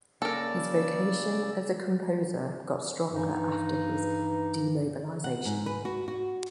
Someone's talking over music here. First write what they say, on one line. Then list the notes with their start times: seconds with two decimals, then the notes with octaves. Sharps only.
His vocation as a composer got stronger after his demobilization.
0.22 C#3 A#3 A4 A#4 D5 E6
3.11 G2 E3 D#4
5.24 F#5
5.45 G#2
5.66 B4
5.85 F#4
6.08 F#4